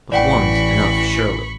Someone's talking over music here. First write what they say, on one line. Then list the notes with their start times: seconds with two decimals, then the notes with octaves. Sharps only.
But one's enough, surely.
0.12 A1 E3 D5 F#5 G5 B5 C#6